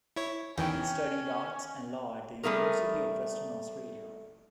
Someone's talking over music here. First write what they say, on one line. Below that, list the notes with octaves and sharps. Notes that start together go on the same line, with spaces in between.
He studied Arts and Law at the University of Western Australia.
E4 C#5
E2 D#3 E3 C#4 G5
G3 A3 G#4 A#4